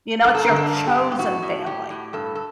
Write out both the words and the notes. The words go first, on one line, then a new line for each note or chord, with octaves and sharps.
you know, it's your chosen family
G2 A#4
A4
D3 A#4
A4
G2
G4
G2
G4
A2 F#4
A2
A2 G4
A2
G2 A4
A4